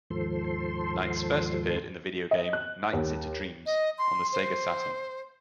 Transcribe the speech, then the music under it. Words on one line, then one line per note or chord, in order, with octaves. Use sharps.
Nights first appeared in the video game "Nights into Dreams..." on the Sega Saturn.
D#2 G#2 F3 A4 C5 C6
D#5
F#6
D#2
D#5
C6
C5